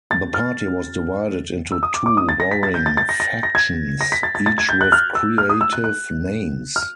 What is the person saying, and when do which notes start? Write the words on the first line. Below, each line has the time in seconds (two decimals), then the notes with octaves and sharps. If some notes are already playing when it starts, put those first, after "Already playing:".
The party was divided into two warring factions, each with creative names.
0.11 A6
0.34 F6
1.72 E6
1.83 D#6
1.94 D6
2.06 D6
2.17 D#6
2.29 A6
2.40 A#6
2.51 B6
2.63 A6
2.74 G6
2.86 A6
2.97 A6
3.09 A#6
3.20 A#6
3.43 A#6
3.55 G#6
4.01 A#6
4.12 B6
4.23 A6
4.35 A6
4.46 A6
4.58 G#6
4.69 G6
4.81 F#6
4.92 F6
5.15 E6
5.38 F6
5.49 D#6
5.61 E6
5.73 F#6
5.84 F#6
6.76 F6